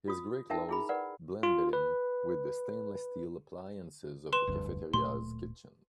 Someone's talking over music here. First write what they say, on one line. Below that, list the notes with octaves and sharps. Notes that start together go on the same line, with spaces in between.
His gray clothes blended in with the stainless steel appliances of the cafeteria 's kitchen.
F4 D#6
D#4 A#4 E5 G5 A5
E4 G#4 B5
A#4 B4 D5 F#5
F4
B4
B4 C6 E7
F1 D2 G2
D1 A#2 A3 C6